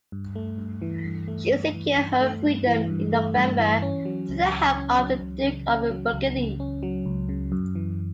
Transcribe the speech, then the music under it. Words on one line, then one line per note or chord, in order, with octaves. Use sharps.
She secured her freedom in November through the help of the Duke of Burgundy.
G2
A3
G2
E3
G2
A3
G2
E3
G2
A3
G2
E3
G2
A3
G2
E3
C#4
F#3
C#2
C#3
C#4
F#3
C#2
C#3
C#4
F#3
C#2
C#3
C#4
F#3
C#2
C#3
F#2
E3